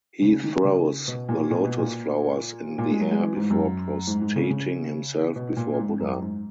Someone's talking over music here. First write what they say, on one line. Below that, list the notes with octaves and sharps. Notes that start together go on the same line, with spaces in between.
He throws the lotus flowers in the air before prostrating himself before Buddha.
C#3
D#3
C#3
B2
A#2
A#2
B2
A#2
A#2
G#3
F#3
G#3
E3
G#2
F#2
G#2
G#2
C#3
C#3
B2
A#2
A#2
G#2
F#2
G#2